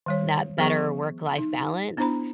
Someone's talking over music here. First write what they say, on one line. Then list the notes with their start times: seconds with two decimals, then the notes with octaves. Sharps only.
that better work-life balance.
0.06 D#3 G3 C#5
0.58 F3 B3 G#4 C5 C#6
1.38 D#4
1.97 B3 D4 E4 C5 A#5 B5